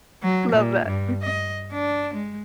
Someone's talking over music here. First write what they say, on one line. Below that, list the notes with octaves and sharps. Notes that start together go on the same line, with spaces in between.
Love that. Mhm.
F#3
A#2
G2
D#5
D4
G#3